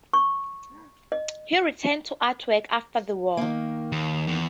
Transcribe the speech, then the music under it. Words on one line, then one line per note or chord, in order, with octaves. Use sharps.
He returned to artwork after the war.
C#6
D#5
D#3 A#3
D#2
E2